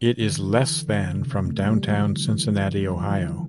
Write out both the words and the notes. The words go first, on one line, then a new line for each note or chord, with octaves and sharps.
It is less than from downtown Cincinnati, Ohio.
D3
E3
D3
D3
C3
A3
G3
F3
E3
D3
E3
G3
F3
E3
D3